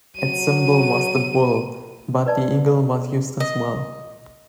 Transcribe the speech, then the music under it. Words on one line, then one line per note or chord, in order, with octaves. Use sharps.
Its symbol was the bull, but the eagle was used as well.
F#3 D#7
B4 D5 A5
D#5